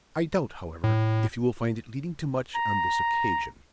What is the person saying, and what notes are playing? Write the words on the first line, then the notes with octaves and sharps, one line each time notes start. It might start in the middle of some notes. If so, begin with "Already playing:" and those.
I doubt, however, if you will find it leading to much on this occasion.
A2
A#5